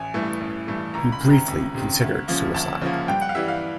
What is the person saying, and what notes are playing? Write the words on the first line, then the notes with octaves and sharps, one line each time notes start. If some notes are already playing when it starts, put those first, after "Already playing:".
He briefly considered suicide.
Already playing: A1 G#5
G2 E3 A3
A1
G2 E3 A3
C#2 A#5
B5
C3 D#3
A#5
C#2
C3 D#3
D2
C#3 F3 A#3
D2 A5
C#3 F3 A#3
G2 G5
F#5
F5
E3 G3 E5
F5